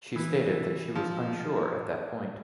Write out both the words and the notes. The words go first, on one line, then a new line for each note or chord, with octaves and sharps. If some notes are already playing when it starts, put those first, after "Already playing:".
She stated that she was unsure at that point.
E3
F3